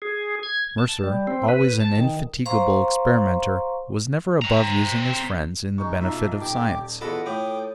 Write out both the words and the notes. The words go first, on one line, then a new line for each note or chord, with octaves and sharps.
Mercer, always an indefatigable experimenter, was never above using his friends in the benefit of science.
G#4
G#6
A5
G3
C4
B4
A5
D#3
C5 F5 A#5 C6 C#6
C4 A#5
G#3 D#4 C#6
B1 F4 E5 A#5
D#1 G4 D6
E2 F4 A4 D#5 F#5 B5
A2 G5 D6 D#6